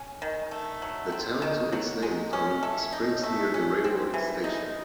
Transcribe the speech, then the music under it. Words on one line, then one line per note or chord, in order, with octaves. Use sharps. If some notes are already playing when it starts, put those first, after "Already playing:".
The town took its name from springs near the railroad station.
Already playing: C#4
D#3
A3
F#3
C4
D#3
F#3
G#3
C#4
A3
D#4
A3
C#4
C4
E3
D#4